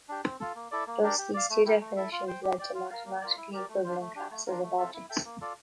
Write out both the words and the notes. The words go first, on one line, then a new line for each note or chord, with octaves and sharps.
Thus, these two definitions lead to mathematically equivalent classes of objects.
D4 G4
C4
F4 A4
A#3
E4 A4 D5
A#3
D4 G4 A#4 D5
G4
D5 F5
A3
E4 G4 A#4
A3
E4 A4 E5
F4
C5 G5
G4
D5 G5
F4
A#4 F5
A#3
F4 A#4 D5
E4
G4 A#4 D5
A3
D4 F4 C5
A3
D4 G4
A3
D4 F4 A#4
A3
C4 F4 A4 E5
E4
A4 E5 G5
A#3
F4 A4 D5